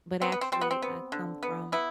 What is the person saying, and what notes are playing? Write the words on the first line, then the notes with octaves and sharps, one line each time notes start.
But, actually, I come from
B3 C4
B3
C4
G3 C4
B3
C4
B3
D3
B3
B3 E4